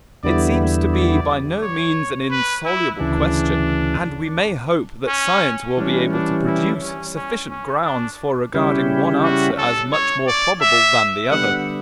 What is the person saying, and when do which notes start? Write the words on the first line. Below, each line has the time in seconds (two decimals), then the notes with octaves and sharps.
It seems to be by no means an insoluble question, and we may hope that science will be able to produce sufficient grounds for regarding one answer as much more probable than the other.
0.24 E2 D3 G3 B3 E4 D5
0.92 D5
1.62 C#5
2.31 B4
2.65 E4
3.00 D2 C#3 E3 D4
5.07 C#4
5.77 E3 G3 C#4 D4
6.12 D4
6.47 E4
6.81 C#4
7.15 C#4
7.50 C#4
7.84 D4
8.54 C#3 G3 C#4 E4 G4
9.23 F#4
9.58 A4
9.93 C#5
10.27 D5
10.61 E5
11.30 D3 G3 B3 F#5